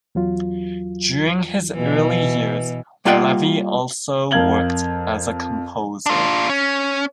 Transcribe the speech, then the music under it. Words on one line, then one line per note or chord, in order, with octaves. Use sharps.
During his early years, Levi also worked as a composer.
E2 F#3 F4
B2 E3
G3 A#3 F4 D#5 F#5 G5
F2 A#4 F5 G#6 F#7 G7
D4 F4
C#4